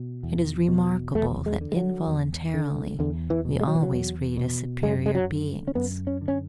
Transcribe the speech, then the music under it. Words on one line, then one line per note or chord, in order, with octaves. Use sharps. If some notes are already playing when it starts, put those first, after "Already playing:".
It is remarkable that involuntarily we always read as superior beings.
Already playing: B2
E2
B2
E2 A3
G#3
D3
G#3
F#3
E2
D3
E2 D3
E3
B2
G#3
F#3
E3
F#3
E2
B2
F#2 G#3
G#3
F#3
D3
C#4
F#2 B3
C#4
D3
C#4